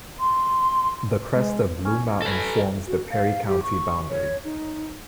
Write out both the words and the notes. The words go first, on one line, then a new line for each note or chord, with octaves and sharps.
The crest of Blue Mountain forms the Perry County boundary.
C6
G#3
C#4
A4 B4
F#4
F5
G4
C#6
C#5
D#4